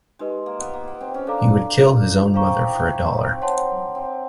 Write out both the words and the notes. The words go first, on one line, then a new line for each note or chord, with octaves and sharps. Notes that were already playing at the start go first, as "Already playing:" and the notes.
He would kill his own mother for a dollar.
G#3 D#4 G4 B4 D#5
A#3
B3
A#3
B3
C4
C#4
D4 A4 D5 F5 A#5 D6
G4 C5 F5 A#5 C#6
G#4
G4
E4
D#4
C4
C4 C#5 F#5 A5 C6
C4